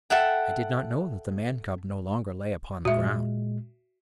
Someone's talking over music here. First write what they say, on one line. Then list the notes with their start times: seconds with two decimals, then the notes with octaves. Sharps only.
I did not know that the Man-cub no longer lay upon the ground.
0.10 A4 E5 F#5 G5
2.85 A#2 G#3 F#4 E5